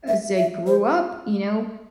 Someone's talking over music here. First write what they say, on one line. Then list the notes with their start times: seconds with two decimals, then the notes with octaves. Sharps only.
as I grew up, you know,
0.08 E5
0.37 E5
0.67 C5